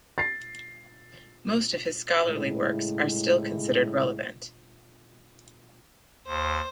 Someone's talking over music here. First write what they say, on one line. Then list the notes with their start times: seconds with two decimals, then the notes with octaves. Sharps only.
Most of his scholarly works are still considered relevant.
0.18 A6 C7
2.24 A2 C#3 G#3 E4
6.26 D#2 C5